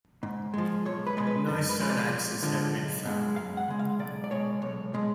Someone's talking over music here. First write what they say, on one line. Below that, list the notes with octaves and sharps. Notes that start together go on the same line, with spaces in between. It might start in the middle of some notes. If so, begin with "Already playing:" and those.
No stone axes have been found.
G#2
F3 G#3
B1 C#5
B4
B2 G#3
B4
F#2 A4
B4
F3 G#3
D5
F5
F2 D5
D3 F3 G#3
B1
B2 G#3
F#2 F5
F#5
C#3 G#3
F5
B1 D5
D5
B2 G#3 C#5
B1 C#5
B2 G#3